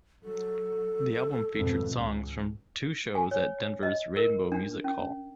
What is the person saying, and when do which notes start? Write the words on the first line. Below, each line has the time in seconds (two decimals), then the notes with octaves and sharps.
The album featured songs from two shows at Denver's Rainbow Music Hall.
0.24 F#3 A4
1.54 G#1 F2 B2
1.92 C#2
3.15 G#5
3.31 C#5
3.83 D#5
4.16 A#4
4.52 D4
4.84 C#4